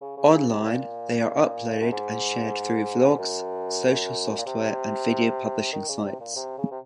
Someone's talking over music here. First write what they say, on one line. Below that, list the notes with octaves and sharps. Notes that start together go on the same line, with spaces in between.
Online, they are uploaded and shared through vlogs, social software, and video publishing sites.
C#3
C#3
C#3
C3
C3
A#2
F#2
G#2
F#2
A#2
C3
D#3
C#3
C3
A#2
C3
C#3
C3